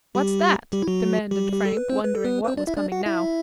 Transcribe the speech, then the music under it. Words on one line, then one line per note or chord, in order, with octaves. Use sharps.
"What's that?" demanded Frank, wondering what was coming now.
G3 G4
G3 G4
E4
F#3 F#4
G3 G4
G4
A4
B4
C4 C5
B4
A4
B3 B4
B4
C4 C5
D4 D5
E4 E5
D4 D5
F#4 F#5
E4 E5